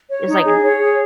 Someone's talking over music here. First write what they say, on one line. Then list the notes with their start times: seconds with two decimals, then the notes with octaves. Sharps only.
it's like
0.09 C#5
0.26 D#4
0.44 G#4
0.62 C#5
0.80 G#4